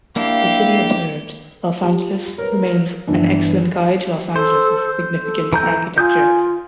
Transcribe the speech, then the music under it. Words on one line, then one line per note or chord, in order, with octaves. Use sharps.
"The City Observed: Los Angeles" remains an excellent guide to Los Angeles' significant architecture.
A#3 D4 E4 G4 F5
F4 G4
A#4 B4 C#5
G1 E3 D4
A4 C5
A4
E3 A#5 G6
F4 G#5 D#6 G6